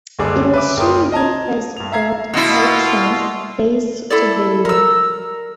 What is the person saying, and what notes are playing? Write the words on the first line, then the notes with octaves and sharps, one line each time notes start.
It was she who first brought Ibsen's plays to Berlin.
F#1 C#2 D3 G3 G#4 D6
B4 E5 D6
F#1 A#4 G5 C6 D#6
D#5 A5 A#5 G#6
G2 F7
E5 F5 A#5 G#6 C7
B2 E4 F4
E4 A4 D5
A#4 E6